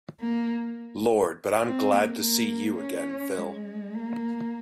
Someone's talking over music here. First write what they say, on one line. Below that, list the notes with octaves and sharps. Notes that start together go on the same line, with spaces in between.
Lord, but I'm glad to see you again, Phil.
A#3
C4
A#3
A#3
C#4
G#3
A#3